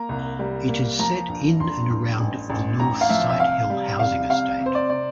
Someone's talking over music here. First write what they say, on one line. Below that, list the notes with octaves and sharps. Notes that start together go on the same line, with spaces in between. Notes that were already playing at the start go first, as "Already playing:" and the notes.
It is set in and around the North Sighthill housing estate.
Already playing: A#3 A#5
C2
G3
A#3
F3 A#5
G2
G2 C6
G2
A1
A1
A1 A#5
F5
F3 E5
E5
C3 F5
G3
C3 F5
C3 F5
C3
C5
D5
C3 D5